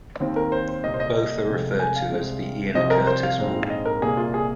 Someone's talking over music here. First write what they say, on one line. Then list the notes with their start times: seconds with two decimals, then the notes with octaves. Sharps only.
Both are referred to as "The Ian Curtis Wall".
0.20 D#2 D#3 C4
0.36 A#4
0.52 C5
0.69 C5
0.84 C2 A#2 A#3 D#5
0.94 C5
1.00 D#5
1.47 F1 F2 C3 G#3
1.79 G#5
1.96 F5
2.11 C2 C3 G#3 C4
2.75 C2 C3 F3 C4 D#5
2.90 A#4
3.07 C5
3.23 F5
3.38 A#1 G#2 G#3 C4
3.70 D#5
3.85 A#4
4.02 C2 A#2 A#3 G#4
4.17 F4
4.34 G#4